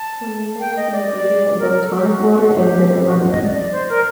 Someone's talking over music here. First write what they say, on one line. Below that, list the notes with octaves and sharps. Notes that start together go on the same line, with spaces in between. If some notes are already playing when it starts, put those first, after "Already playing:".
Quinine is an ingredient in both tonic water and bitter lemon.
Already playing: A5
G5
D#5
D5
D5
A#4
A#4
A4
G4
F#4
F#4
G4
F#4
D#5
D5
D5
C5
A#4